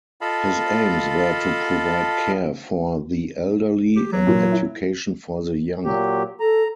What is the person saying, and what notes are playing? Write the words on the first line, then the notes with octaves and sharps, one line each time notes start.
His aims were to provide care for the elderly and education for the young.
F4 A4 D#5 F5 A5 B5
G4
F#3
A#2 E3
E4
A#2 F#3 G4
A4 A#5